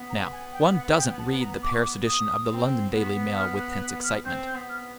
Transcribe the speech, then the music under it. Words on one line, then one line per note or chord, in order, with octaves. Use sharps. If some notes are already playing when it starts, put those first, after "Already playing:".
Now one doesn't read the Paris edition of the London Daily Mail with tense excitement.
Already playing: B3
A#5
G#5
G5
F#5
G5
A5
A#5
D6
C#6
D6
D#6
C4
B3
F6
F#6
F#6
F6
C4 G6
G6
B3
F6